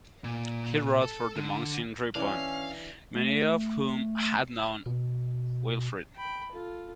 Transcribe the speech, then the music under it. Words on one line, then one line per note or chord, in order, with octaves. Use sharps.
He wrote for the monks in Ripon, many of whom had known Wilfrid.
A#2
A4
D3
E3 C#4 D4 F5
A3
B2
G5 B5
F4 A4